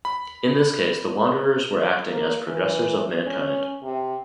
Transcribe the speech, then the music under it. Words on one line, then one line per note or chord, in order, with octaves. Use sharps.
In this case, the Wanderers were acting as progressors of mankind.
B5
A#3
E3
C#4
C3